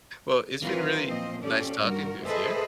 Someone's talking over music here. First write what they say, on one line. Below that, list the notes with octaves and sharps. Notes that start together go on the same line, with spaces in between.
Well, it's been really nice talking with you.
E3 F#3 C4 F4 A#4 B4
A#2 F3 C4 C5 D#5
F3 C#4 G4 A4 D5
G2 F#4 A#4
G#4 A4 B4 C5 D#5 E5